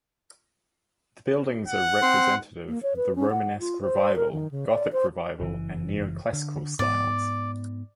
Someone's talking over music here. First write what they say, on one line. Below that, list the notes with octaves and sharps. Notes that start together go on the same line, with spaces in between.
The buildings are representative of the Romanesque Revival, Gothic Revival, and Neo-Classical styles.
F#5
C4 C6
A#3
C#5
B4
C#4
F#5
F4
C5
A#4
D#3
C#3
D5
C5
F#1 E3
D3
G#2 B3 D5